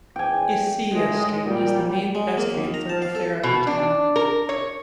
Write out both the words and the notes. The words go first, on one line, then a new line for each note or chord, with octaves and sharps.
Isilla street is the main pedestrian thoroughfare of the town.
E2 G5 G#5
A2 G#3
A#2 G3
G#3
A#3
D#2
A#5
A5
F5
A4
B2
D4
A#4
C#5